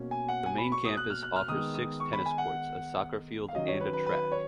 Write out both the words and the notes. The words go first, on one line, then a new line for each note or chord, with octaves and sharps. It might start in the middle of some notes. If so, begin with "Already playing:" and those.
The main campus offers six tennis courts, a soccer field and a track.
Already playing: B2 A#3 C#4
G#5
F#5
G#5
B5
C#6
D#6
F#6
F6
F#6
F6
D#3 G#3 B3 D#6
D#6
C#6
B5
G#5
F#5
F5
D#3 F#3 C#4 D#5
C#5
B4
B4
B4
C#5